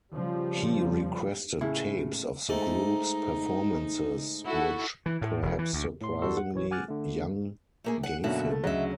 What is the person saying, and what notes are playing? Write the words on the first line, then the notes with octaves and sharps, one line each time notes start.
He requested tapes of the group's performances which, perhaps surprisingly, Young gave him.
C#3 F3 G3
A2 C#3 E4 B5
G#2 A3 D#4 A#5
E4 F#4 A4 F#5
E3
A2
E1
E3
D2
A2 C6
E2 G3 E4 F#4 A4 C6
F#5
A#1 E3 C#5
F#5 G#5 D6 F6 F#6 A6
D3 A3
A3 A#3 G#4
F#5
F#2 B2 D3 A#3 F#4 E5
A3
D2 C#3 F#3 D#5 E5